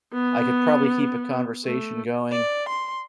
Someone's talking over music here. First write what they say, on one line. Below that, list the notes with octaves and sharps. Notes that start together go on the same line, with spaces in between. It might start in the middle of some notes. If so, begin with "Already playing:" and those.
I could probably keep a conversation going,
B3
A3
D5
C6